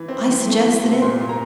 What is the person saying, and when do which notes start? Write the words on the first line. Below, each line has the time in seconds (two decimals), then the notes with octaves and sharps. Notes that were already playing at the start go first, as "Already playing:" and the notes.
I suggested it.
Already playing: E3
0.08 C4
0.28 E3
0.46 A3
0.64 E3
0.83 C3
1.02 A#2 C6
1.21 A#2
1.29 A#5